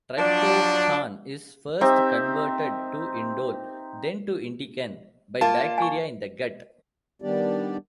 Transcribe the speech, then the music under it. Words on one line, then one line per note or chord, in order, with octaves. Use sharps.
Tryptophan is first converted to indole, then to indican by bacteria in the gut.
F3 F#3 D4 D5
C4 D#4 G4 E5
A#3 F4 A5
G#5 C#6
D#3 G3 B3 D4 G4 D5